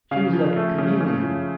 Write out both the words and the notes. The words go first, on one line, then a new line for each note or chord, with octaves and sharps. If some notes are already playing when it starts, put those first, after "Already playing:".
She was like a chameleon.
C#3 F5
F3
A3
C#3
C#3
F3